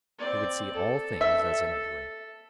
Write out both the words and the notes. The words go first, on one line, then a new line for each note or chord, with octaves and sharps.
He would see all things as in a dream.
C4 D5
A4
E5